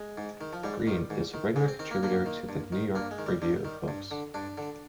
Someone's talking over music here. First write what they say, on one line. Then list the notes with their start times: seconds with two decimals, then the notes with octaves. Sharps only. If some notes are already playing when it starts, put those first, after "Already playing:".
Green is a regular contributor to the "New York Review of Books".
Already playing: G#3
0.17 G#2
0.41 D#3
0.53 F3
0.64 G#2 G3
0.87 D#3
1.10 G#2
1.34 D#3
1.56 G#2 G#3
1.68 C4
1.79 D#3 C4
1.91 A#3
2.03 G2 A#3
2.26 D#3
2.49 G2
2.72 D#3
2.95 G2 A#3
3.11 G#3
3.18 D#3
3.26 G3
3.42 G2 G3
3.65 D#3
3.88 G2
4.11 D3
4.34 G2 D4
4.58 D3